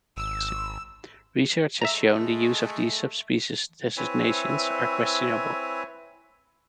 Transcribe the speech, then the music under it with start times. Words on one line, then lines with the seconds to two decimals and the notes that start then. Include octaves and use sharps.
Research has shown the use of these subspecies designations are questionable.
0.17 G#1 E6
1.82 G#3 A3 E5 A#5
3.97 C4 E4 B4 C#5 E5 G#5